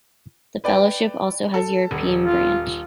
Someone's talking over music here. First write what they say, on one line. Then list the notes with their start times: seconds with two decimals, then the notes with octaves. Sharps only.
The Fellowship also has a European branch.
0.64 B4 D5 G5
1.54 A4
1.91 D#1
2.23 F4